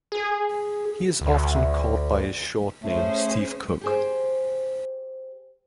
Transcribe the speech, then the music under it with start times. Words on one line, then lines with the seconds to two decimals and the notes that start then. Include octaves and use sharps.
He is often called by his short name Steve Cook.
0.12 G#4
1.21 D2
2.83 A3 C#4 G#4 C5
3.81 G4 G#4 C5